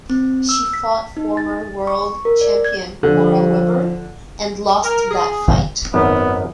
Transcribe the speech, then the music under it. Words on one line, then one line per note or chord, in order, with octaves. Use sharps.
She fought former world champion Cora Webber, and lost that fight.
C4
E6
B6
D#4
A6
C#6
A#4
D5
G#6
D3 F3
A#4
G#4
G1 E2 B2
G#1 F#2 B3